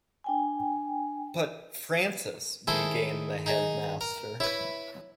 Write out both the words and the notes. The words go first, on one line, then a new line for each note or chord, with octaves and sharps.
"But, Francis..." began the headmaster.
D4 G5 G#5
D#3 G#3 E4 A4 C5 G#5
D#4 G#4
A#4
E4 B4 C#5 E5